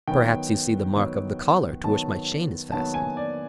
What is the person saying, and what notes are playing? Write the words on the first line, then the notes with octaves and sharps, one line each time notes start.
"Perhaps you see the mark of the collar to which my chain is fastened."
D#3 F#3 B3 G5
D#3 F#3 B3
D#3 F#3 B3 A5
D#3 F#3 B3 A5
G#5
D5